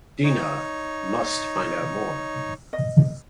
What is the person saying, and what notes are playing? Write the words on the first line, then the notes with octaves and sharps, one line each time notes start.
Dinah must find out more.
D#4 C#5
D#5